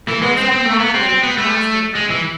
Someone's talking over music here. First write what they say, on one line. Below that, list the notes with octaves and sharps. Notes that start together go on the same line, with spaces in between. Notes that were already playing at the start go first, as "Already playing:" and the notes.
They rose up madly and mastered him.
E3
G#3
C4
C4
A3
B3
C4
C4
B3
A3
G#3
E3